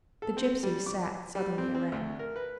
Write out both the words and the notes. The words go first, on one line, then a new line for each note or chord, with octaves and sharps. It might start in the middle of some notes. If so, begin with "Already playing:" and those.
The gipsy sat suddenly erect.
A4
C4
G3
D6
G3
C4
C4
D2
A#4
B4